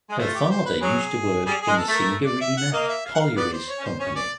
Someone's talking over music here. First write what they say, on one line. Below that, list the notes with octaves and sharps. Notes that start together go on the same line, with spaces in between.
Her father used to work in the Singareni Collieries Company.
G#3
A3 F4
G4
C5
B4
F#3 G#4
G3 G#4
G#4
G#3
A4
A3 A#4
D5
E5
F#5
A#3 D#5
E5
F5
F#5
F5
B3 D5
C5
C#5
C#4
C5
C#4 C#5
D5